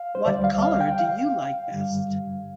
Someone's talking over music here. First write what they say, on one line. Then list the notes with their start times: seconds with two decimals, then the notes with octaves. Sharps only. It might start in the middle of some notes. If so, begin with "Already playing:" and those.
What color do you like best?
Already playing: F5
0.15 C5
0.26 D2 D3 G3 D5
0.44 F5
0.62 F5
0.81 G5
0.99 F5
1.72 G2 D3 G3